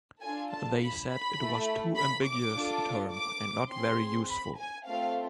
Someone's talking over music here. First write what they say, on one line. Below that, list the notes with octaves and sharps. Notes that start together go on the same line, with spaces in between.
They said it was too ambiguous a term, and not very useful.
D4 F4 A4 G#5
A5
B5
B5
A3 E4 A4
B5
D6
D4 F4 A4
D6
C4 G#4 C6
B5
G#5
A3 C4 F4 A4 F5